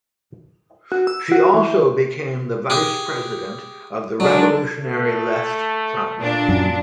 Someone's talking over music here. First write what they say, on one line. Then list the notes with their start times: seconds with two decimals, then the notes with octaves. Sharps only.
She also became the vice-president of the Revolutionary Left Front.
0.92 F#4
1.07 E6
1.32 F#4
1.54 E3
2.70 G4 G#4
4.20 F#3 G#3 D4
4.82 A3
6.18 A#2 D4
6.49 F#2